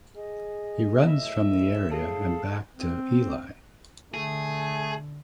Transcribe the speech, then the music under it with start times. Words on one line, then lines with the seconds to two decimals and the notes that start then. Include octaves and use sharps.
He runs from the area and back to Eli.
0.16 G#4 D#5
1.07 A2 E5
1.91 G#4 A4 F5
2.77 C4
4.14 D3 A3 G#4